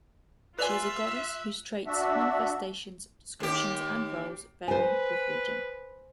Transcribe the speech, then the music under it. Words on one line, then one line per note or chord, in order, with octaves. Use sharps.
She is a goddess whose traits, manifestations, descriptions, and roles vary with region.
F4 B4 D5 E5 G#5 F#6 F7 F#7
D4 F#4 E5
D#2 G4
B4 C5 G#5